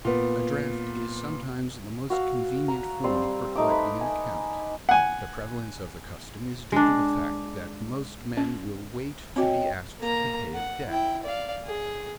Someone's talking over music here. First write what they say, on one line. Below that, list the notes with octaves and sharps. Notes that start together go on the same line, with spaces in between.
A draft is sometimes the most convenient form for collecting an account. The prevalence of the custom is due to the fact that most men will wait to be asked to pay a debt.
A#2 B3
F#4 F5 E6
A#5
G3 C4 C5
A3 D#4 D6
B4
G#5
F#5 G#5
G#3 D4
C#4
C4 F#4 C#5 D#5 G5
A#3 A#5
F#5
E4 G5
D5 F5
G#4